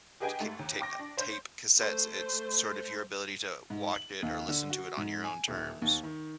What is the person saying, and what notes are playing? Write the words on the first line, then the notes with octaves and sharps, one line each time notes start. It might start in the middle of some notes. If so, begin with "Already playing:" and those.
th ca uh, ta tape cassettes. It's sort of your ability to watch it or listen to it on your own terms.
G4 G#4 B4 D#5 G5 G#5
G#2 A3
D#2
G5 C#6 D6 A#6
D4
C5 C#5 C6 G6
A3 C5
G#2
F#7
D#2
D3
F#4
G#2
G#5
D#1
D#2
D#3